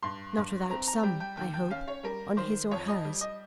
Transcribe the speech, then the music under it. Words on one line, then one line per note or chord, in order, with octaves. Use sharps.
Not without some, I hope, on his or hers.
G2 C6
G2
C4 A#5
A#5
G3 G5
G5
D#2 G5
G5
C#4 F5
C#5
G3 A#4
D#3 C5
F2 C#5
D#5
G3
D#5